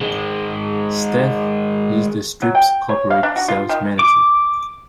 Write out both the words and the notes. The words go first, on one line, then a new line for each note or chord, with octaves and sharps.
Stef is the strip's Corporate Sales Manager.
D#3 G#3
F#3
G5
C#5
F5
D4
F#4
F4
D#3
D6